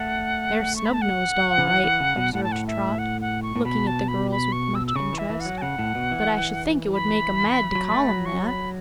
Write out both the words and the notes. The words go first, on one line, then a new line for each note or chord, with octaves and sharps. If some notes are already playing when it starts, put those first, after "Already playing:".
"They're snubnosed, all right," observed Trot, looking at the girls with much interest; "but I should think it would make 'em mad to call 'em that."
Already playing: A3 F#5
C#6
B5
A5
F#5
C#3
E3
E3
C#3
B2
A2 F#5
A5
F#5
E5
F#5
F#5
C#6
A2
B2 B5
A5
B5
B5
C#6
E6
E6
C#3 C#6
E3
E5
E3
F#5
F#3
A5
C#3 F#5
A2
B2
E3
B5
F#3
A3
F#3
C#6
B5